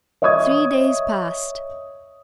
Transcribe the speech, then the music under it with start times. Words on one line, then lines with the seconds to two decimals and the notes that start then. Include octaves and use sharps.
Three days passed.
0.22 C#5 D#5 E5 C#6 D#6 G#6